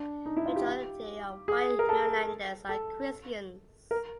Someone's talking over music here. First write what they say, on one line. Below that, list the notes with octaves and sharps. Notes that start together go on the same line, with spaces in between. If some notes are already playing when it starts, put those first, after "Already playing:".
The majority of white Marylanders are Christians.
Already playing: D4
D#4
E4
F4
G4
G#4
A#4
A4
A4
A#4